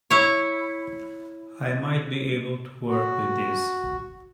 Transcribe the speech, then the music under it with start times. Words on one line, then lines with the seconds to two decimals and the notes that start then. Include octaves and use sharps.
I might be able to work with this.
0.10 E4 C#5
2.87 F#4